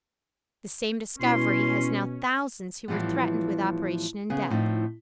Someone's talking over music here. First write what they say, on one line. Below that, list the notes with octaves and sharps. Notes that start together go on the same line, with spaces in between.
The same discovery has now thousands who were threatened with operation and death.
B2 C#4 E4 C6
A2 E3 F3 G3 B3
C#3 B3 G#4
A2 F3 C4 D#4